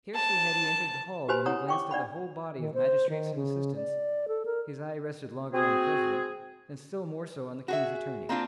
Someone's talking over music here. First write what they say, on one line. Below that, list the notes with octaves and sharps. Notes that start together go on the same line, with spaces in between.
Scarcely had he entered the hall when he glanced at the whole body of magistrates and assistants; his eye rested longer on the president, and still more so on the king's attorney.
A5
F#4 G4 B4 C5 G#5 B5
E4 C#5 F#5 A#5 D#6
G5 C#6 D6
D4 D5 F#5 B5
D#3
C5
D#3
C#3
D5
A4
A#4
C4 F#4 G#4
F#4 G#4 E5
A#3 C4 D4 F4 A#4